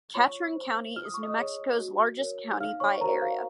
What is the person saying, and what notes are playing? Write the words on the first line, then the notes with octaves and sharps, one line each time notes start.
Catron County is New Mexico's largest county by area.
F4 C#5 C#6
C5
F4 F6
D#6
C#6
D#5 D#6
G#4 C#5
F#4
A#4 C#5
D#4 F5 F6
C#5 C#6
F#4 A#4 C5 A#5
F5